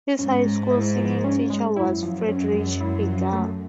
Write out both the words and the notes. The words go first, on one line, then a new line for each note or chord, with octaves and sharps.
His high school singing teacher was Friedrich Hegar.
G#2 C#4
G#3
E4
F3
C#4
G#3
F#2 E4
F3
C#4
G#3
E4
F3
A3